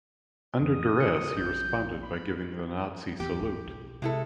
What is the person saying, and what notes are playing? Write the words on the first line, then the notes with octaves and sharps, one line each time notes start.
Under duress, he responded by giving the Nazi salute.
F2 E3 D#6
D3 C#7
A#1 G6
B5
A1 E2 G4
G#1 E2
B1
C3 G#3 E4 A4